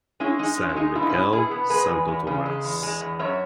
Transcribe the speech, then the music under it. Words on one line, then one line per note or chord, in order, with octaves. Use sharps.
San Miguel, Santo Tomas.
G#3 C#4 E4
G#3 D#4
G#3 C#4
E4
G#3 D#4
B2 E4
D#4
C#4 E4
B2
B2 E4 G#4
B3
G#3 G#4 B4
E2
E2
C#3
G#3
E2
G#3
E2
F#2 C#5 E5